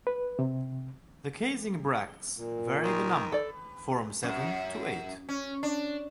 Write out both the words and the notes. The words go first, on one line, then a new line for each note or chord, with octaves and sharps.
The casing bracts vary the number, form seven to eight.
B4
C3
A#2
D#3
A4 D5
F#2
C#4
D4